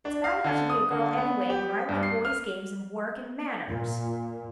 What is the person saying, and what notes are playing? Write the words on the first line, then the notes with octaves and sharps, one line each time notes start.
It's bad enough to be a girl, anyway, when I like boy's games and work and manners!
D4
F5
D3
D#6
D3
B3
G4
G2
C7
F6
A#2